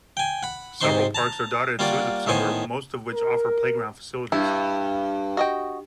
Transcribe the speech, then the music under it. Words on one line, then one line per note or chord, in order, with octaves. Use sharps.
Several parks are dotted through the suburb, most of which offer playground facilities.
G5 G#5
F#5 B5
G#2 C3 D#4 C5 C6 C#6
A5 A#5
G3 A#3 F4 F#4 D5
A2 D#3 B3 C5 G#5 C#6
A#4
G2 E4
F#4 D#5 G5